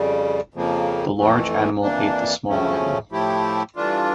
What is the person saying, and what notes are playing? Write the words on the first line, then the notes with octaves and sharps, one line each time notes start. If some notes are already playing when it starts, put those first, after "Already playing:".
The large animal ate the small animal.
Already playing: F2 C#3 G3
F2 C#3 F3 A#3
F2 E3 A3
F2 E3 A#3 D4
D2 C#3 F3 A3 C#4
A2 F3 A3 E4 G4
G2 E3 A3 D4 F4